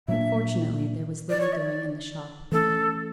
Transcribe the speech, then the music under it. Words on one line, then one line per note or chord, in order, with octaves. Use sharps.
But fortunately there was little doing in the shop.
A#2 F#3 A#3 D4 E5
D5
C#5
E5
D5
E3 A3 C#4 A4